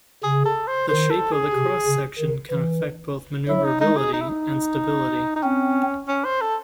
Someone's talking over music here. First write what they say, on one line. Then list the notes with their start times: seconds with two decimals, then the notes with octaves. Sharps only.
The shape of the cross section can affect both maneuverability and stability.
0.23 C#3 G#4
0.45 A4
0.67 C5
0.88 D#3 C5
1.10 A4
1.32 G#4
1.53 C3
1.86 C#3
2.18 D#3
2.51 E3
3.48 F#3 E4
3.64 D#4
3.81 G#3 D#4
3.97 G#4
4.13 D#4
4.21 E4
4.28 D#4
5.36 D#4
5.43 C4 C#4
6.08 C#4
6.24 C5
6.41 A4